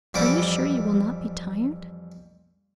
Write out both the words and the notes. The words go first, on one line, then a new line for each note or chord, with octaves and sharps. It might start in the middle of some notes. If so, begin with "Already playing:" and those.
Are you sure you will not be tired?'
F2 E3 G3 F#5 D6